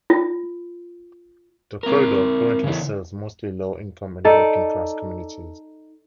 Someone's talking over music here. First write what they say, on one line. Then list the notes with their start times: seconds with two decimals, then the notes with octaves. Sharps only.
The corridor currently serves mostly low-income and working-class communities.
0.10 F4
1.83 C4 A#4
2.64 C#3 E3
4.24 D#4 A4 D5